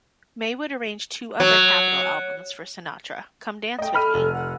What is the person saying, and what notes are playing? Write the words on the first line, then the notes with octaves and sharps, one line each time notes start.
May would arrange two other Capitol albums for Sinatra, Come Dance with Me!
F#3
A3 D#5 G5
A4 B5 F6 D#7
F1
F#5